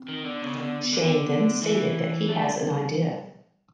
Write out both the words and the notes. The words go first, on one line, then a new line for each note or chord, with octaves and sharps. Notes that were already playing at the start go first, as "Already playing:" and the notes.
Shane then stated that he has an idea.
Already playing: C4
D#3
D3 B3
C#3
D#3
D3
D3
G#3
E3 A3
G3 A3